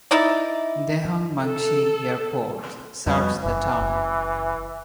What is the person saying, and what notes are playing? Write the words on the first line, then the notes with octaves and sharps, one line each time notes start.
Dehong Mangshi Airport serves the town.
D#4 E4 D5
A4
F2 B2 G3
F#1 E3
F#1